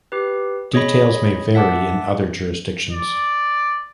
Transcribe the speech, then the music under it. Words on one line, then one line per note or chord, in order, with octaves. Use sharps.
Details may vary in other jurisdictions.
G4 B4
G#4 C#5 D#5 B5
E5 F#5 A5 D6
D5